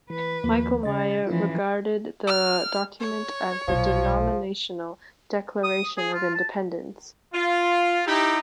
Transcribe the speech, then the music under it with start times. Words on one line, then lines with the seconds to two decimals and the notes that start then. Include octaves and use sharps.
Michael Meyer regarded the document as the denominational declaration of independence.
0.10 E3 B4
0.44 D#2 F3 A#3
0.83 C#3 D#5 A6
1.27 E3 F3 C#4 F4
2.27 F6
3.00 C#5
3.68 B1 A#2 F3
5.64 D#6
5.98 G#4
6.14 F4
6.35 A5
7.34 F4
8.07 D#4 E4 G4